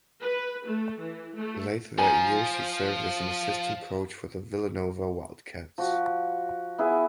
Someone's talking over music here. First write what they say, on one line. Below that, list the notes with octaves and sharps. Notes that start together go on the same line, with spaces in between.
Later that year she served as an assistant coach for the Villanova Wildcats.
B4
A3
E3
A3
F3 G#5 A#5
F3 F#4
B3 E4 G#4